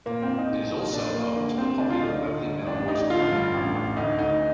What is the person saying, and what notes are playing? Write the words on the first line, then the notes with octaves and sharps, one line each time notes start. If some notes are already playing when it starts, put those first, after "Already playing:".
It is also home to the popular Beverley Male Voice Choir.
A#2 A#3
C4
A#1
D#4
A#1
A#2 D#4
A#2 D4
A#1 A#3
D3 A#3
D2 C4
D2 D4
F4
D3 D#4
D3
D2
A1 D4
A1 D#4
D3 F4
G2
A1
A1
D2 D#4
D2 D#4